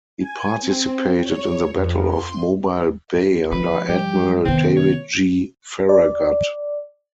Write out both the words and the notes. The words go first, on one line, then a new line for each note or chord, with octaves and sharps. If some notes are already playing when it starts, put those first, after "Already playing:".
He participated in the Battle of Mobile Bay under Admiral David G. Farragut.
G#5
C4
C#5
F2
C6
D3 F3 B4
G2 G4
F2 C3 D#3 B3 C4
C#5
D5